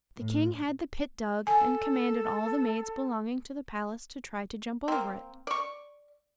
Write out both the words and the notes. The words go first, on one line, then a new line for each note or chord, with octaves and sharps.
The King had the pit dug, and commanded all the maids belonging to the palace to try to jump over it.
A2
A4 G#5
A#3 C4
D5 C#6